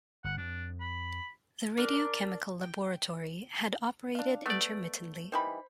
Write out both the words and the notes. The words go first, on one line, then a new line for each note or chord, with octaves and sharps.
The Radiochemical Laboratory had operated intermittently.
G1 F#5
F2 D4
B5
D4 A#4 D6 F#6
G5
D4 F5
A3 B3 D5
D#3 E3 G3 C5 B5